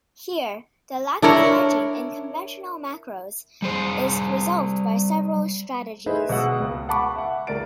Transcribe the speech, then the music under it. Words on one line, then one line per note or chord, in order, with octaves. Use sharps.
Here the lack of hygiene in conventional macros is resolved by several strategies.
D4 E4 A#4 C#5
G3 G#4 C5
E4 G#4 B4 C5 D#5 E5
B2 G#3 F#5 E6
C#2
F#5 A5 B5 C#6 D6
E5 F#5
C#2 A#4 D5 A6 D7